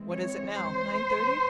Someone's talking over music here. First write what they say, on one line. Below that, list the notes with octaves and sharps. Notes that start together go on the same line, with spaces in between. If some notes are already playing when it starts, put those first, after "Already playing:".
What is it now--nine thirty?
Already playing: E3 G#3 C4
C#5
C5